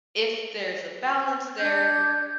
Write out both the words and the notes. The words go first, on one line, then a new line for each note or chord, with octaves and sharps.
if there's a balance there
D4 G6 G#6